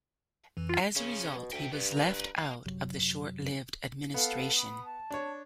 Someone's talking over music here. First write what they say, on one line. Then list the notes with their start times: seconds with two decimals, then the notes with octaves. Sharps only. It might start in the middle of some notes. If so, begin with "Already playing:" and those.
As a result, he was left out of the short-lived administration.
0.57 F2 E3
0.69 F4
0.96 C#3 F3 C#4
1.35 B2
1.53 D2 E5 G5
1.72 G2 B3 G4
1.92 B4 A#5
2.37 A#3 F5
2.66 F#2 C3 F#3
4.14 B3 A4 F5
4.57 B5 D#6
4.86 A5
5.10 D4 C#5